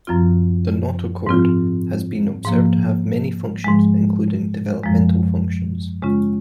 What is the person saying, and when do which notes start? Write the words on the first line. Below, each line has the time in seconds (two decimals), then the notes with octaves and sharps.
The notochord has been observed to have many functions including developmental functions.
0.07 F#2 F3 C4 F4
1.26 G#2 F3 C4 F4
2.45 G#2 F3 A#3
3.64 G#2 F3 G#3
4.83 F#2 F3 G#3
6.02 C#3 G#3 C#4 F4